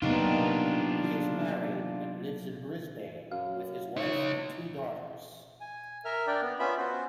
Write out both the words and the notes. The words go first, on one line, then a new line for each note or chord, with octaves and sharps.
He is married and lives in Brisbane with his wife and two daughters.
C3 F#3 A#3 B3 D4 D#4 F4
F#2 F5
C#2 D#4 C#5
G#5
A#4 E5 F6
D4 D5 G5
B3
B3 C#4 F4 E5 B5
F#4 C5